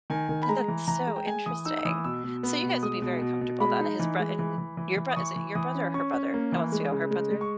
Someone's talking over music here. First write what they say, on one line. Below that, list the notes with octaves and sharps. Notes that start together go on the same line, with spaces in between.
But that's so interesting. So, you guys will be very comfortable, but and his brot and your brot Is it your brother or her brother, that wants to go? Her brother?
D#3 G#5
D#3
B5
G#3 A#5
E3
E3 A#5
G#3
G5
G#3 G#5
E3 D#6
D#4 E6
E6
E3 D#6
B2 E6
B2
B3
B2
G#3 D#6
B2
B2
B2
G#3 B5
D#4
E3
G#3
E3
E3
E3
E3
D#6
E3 C#6
E3
E3 D#6
C#4
C#4 C#6
C#4
A#3
E3
G#3
C#3
G#3
G#3
C#6